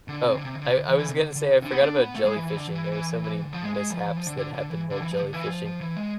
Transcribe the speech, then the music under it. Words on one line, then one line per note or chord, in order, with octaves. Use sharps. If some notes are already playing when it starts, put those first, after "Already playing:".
Oh, I I was gonna say I forgot about jellyfishing; there are so many mishaps that happened while jellyfishing,
D3
C3
D3
C3
D3
C3
D3
E3
E3
C3
D3
D3
C3
D3
B3
D4
B3
A3
G#3
E3
E3
D3
E3
D3
F3
G#3
G#3
F3
E3
F3
D3
D3
D3
E3
D3
E3
F3
D3
E3
F3
F3
E3
G#3